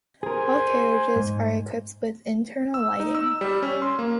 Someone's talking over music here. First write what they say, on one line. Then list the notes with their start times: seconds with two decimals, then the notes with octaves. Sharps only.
All carriages are equipped with internal lighting.
0.23 G#4 A#4 C5 G#5
1.16 G#2
2.74 E6
3.00 D#4
3.15 E6
3.41 G3
3.62 C#4
3.82 C6
3.99 A#3